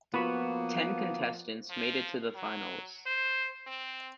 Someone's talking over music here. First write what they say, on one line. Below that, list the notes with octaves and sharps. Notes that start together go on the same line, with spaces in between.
Ten contestants made it to the finals.
F3 A#3 B3 F4 F#4 B4 B5
F3
F#3
C5
C4